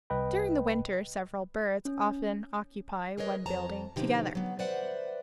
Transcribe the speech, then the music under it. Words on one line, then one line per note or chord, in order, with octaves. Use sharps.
During the winter several birds often occupy one building together.
C2 B4 D#5 G5 B5
C#4
G#4 A#4 B4 C#5 D#5
F2 A5 A#5
B2 D3 F3 D#4 G4
F#3 B3
B4 C5 D5 E5 F#5